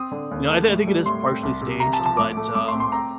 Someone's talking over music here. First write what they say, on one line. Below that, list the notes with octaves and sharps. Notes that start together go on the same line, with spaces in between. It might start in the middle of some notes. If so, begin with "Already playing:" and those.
you know, I think I think it is partially staged, but, um,
Already playing: C4 D#6
D3
D#2
A3
A2
G3
A2 C6
C4
C2
C3
C2 A#5
A5
F3
A5
A2 D6
A3
A2 D6
C6
C4
C6
C4 A#5